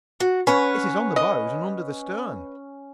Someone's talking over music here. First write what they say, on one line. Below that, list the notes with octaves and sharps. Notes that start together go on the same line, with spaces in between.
"It is on the bows and under the stern."
F#4
C#4 B4 C#5 F#5
D#5